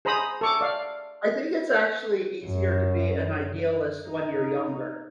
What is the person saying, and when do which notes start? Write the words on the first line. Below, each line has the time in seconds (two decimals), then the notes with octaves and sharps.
I think it's actually easier to be an idealist when you're younger,
0.05 G#4 C5 A#5 B5 D#6
0.41 A4 C#6 D6
0.61 D5 F5
2.45 F#2
4.09 D#4